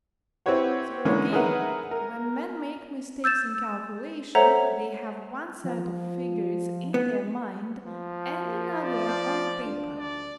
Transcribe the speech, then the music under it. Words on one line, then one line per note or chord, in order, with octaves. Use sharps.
So again, when men make mistakes in calculation, they have one set of figures in their mind, and another on the paper.
C4 E4 G4 B4 C#5 F#5
D3 E3 G#3 A#3 C#4
D#4 G#4 A#4 B4 E5 F#5
A#4
E6 G6 A6 E7
A4 C5 C#5 E5 F#5 A#5
F3
B3
F3
A#3
F4 D5
D2 D4
D5